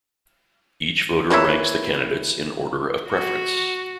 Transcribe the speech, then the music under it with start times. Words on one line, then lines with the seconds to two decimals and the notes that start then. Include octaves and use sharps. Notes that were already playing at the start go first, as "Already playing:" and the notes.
Each voter ranks the candidates in order of preference.
1.30 E3 A#3 C#5 E5
3.08 F#4